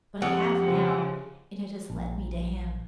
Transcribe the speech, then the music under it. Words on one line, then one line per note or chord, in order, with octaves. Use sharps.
But I have now, and it has led me to Him.
F2 G4 F#5
C#3 F3 G#3
A#1